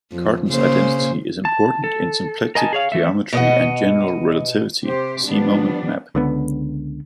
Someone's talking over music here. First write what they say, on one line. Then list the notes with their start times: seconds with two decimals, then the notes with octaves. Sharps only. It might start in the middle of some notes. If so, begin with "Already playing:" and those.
Cartan's identity is important in symplectic geometry and general relativity: see moment map.
0.12 F2
0.48 C#3 A#3 C5
1.45 A5
1.84 A4
2.55 A#4 D#5 G#5 A5
2.73 G#4 C#5 F5
2.92 E3 A3 E5
3.33 B2 D#5 F#5
4.85 C3 G4 C5
5.26 F3 G3 B3 D4
6.15 C#2 D3 B3